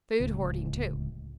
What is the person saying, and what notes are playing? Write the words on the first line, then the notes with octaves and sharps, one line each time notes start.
Food hoarding, too.
D1 C#2